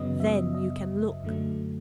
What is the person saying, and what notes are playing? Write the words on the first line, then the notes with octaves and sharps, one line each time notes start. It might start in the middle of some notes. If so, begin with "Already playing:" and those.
Then you can look.
Already playing: F#2 C#3 F#3 B3 D#5
E5
D#5
F#2 D3 F#3 A3